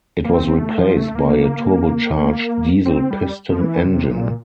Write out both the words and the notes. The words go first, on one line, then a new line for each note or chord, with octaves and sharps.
It was replaced by a turbocharged diesel piston engine.
A#3
C4
A3
F3
A3
A#3
C4
G3
F3
E3
C3
A#2